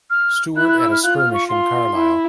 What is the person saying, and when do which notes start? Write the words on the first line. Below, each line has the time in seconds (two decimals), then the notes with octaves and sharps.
Stuart at a skirmish in Carlisle.
0.10 F6
0.57 E4 F#6
0.69 F#6
0.80 E6
0.91 F6
1.03 F4 F#6
1.18 F6
1.34 C#6
1.48 F4 C6
1.95 E4